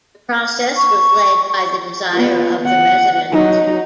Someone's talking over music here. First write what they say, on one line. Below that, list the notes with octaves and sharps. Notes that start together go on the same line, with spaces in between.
The process was led by the desire of the residents.
C#6
B3 F4
F#5
F#3 D#4